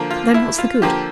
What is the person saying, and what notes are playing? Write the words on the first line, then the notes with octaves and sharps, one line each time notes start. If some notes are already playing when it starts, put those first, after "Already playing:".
"Then what's the good?"
Already playing: D3 F3 A#3
F4
E4
F4
D3 F3 A#3 G4